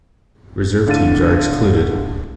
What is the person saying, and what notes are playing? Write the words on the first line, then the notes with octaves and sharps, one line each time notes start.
Reserve teams are excluded.
A2 D3 D4 F5 A6 D#7